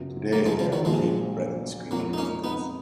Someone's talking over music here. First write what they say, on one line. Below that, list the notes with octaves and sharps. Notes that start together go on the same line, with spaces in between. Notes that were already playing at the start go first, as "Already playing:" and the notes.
Today they are the Cape Breton Screaming Eagles.
Already playing: F#2 C#3 F#3 B3 F4
F#3 A#3
F3 G#3
C#3 F3
D#3 F#3
A#1 A#2 F3 F#3 G#3
F2 F3 F#3 G#3 A#3
D#4
A#3 C#4
B3 D#4